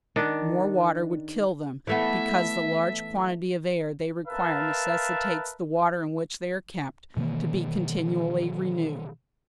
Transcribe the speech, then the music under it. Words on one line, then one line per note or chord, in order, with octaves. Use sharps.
More water would kill them, because the large quantity of air they require necessitates the water in which they are kept, to be continually renewed.
D#3 D4
E3 A3 B3 E5
A#4 B4 E5 F5 A5
B2 D#3 E3 A#3